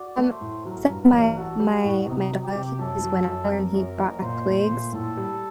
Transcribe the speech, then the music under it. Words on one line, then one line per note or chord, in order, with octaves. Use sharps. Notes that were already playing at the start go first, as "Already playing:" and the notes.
Um, so my my my dog, he's went out and he ba twigs,
Already playing: F#4 D5
A3
C5
A2
F#3 A#4
G2
A#4
A1
F#4 A4
G3
F#4
A2
C3 D#4
F#3
G4
C3
F#2 A4
F#3
F#2
C4 A#4
F#2
F#1
A#2 C5
A3
C5
A#2
A2 A4
G3